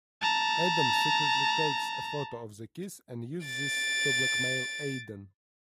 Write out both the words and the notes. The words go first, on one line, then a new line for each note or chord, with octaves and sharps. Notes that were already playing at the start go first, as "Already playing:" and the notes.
Adam secretly takes a photo of the kiss, and uses this to blackmail Aidan.
A5 A#5
A6 D7